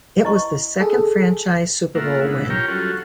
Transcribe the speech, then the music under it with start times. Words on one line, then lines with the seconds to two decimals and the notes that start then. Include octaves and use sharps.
It was the second franchise Super Bowl win.
0.25 E4 D#5 C#6
0.80 G#4 A4
1.95 A3 A#3 F4 A#4 E5 F#5
2.25 G#2 D3 B3 E4
2.50 F4 G4 A#4 C#5 G5 A#5
2.68 F#3 G3 C#4 F4 F#4 A4